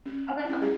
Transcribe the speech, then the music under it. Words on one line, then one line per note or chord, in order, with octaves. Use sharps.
Okay, okay.
C#4
E4
C#4
G#4